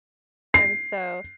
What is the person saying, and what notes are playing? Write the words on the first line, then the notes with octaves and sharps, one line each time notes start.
And so,
C7